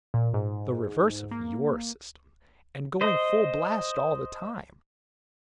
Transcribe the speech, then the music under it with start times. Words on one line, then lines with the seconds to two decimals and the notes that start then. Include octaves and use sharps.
The reverse of your system, and going full blast all the time.
0.14 A#2
0.34 G#2
1.31 A#3
3.01 C5 D#5